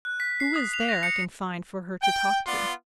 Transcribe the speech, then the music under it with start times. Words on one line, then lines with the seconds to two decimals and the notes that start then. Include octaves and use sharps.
Who is there I can find for her to talk to?'
0.05 F#6
0.20 B6
0.40 C7
0.56 D#6
0.74 F7
0.89 A#6
1.03 C#7
2.02 G5
2.46 B3 F4 D5 F#5 C6